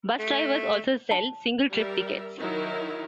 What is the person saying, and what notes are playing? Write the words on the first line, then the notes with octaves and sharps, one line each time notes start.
Bus drivers also sell single-trip tickets.
A3
A5
G3 A#4 E5
D#3 F#3 D#4 E4 A#4